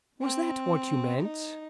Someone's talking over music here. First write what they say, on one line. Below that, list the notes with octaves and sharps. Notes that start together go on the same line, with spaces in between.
"Was that what you meant?"
C4
D#4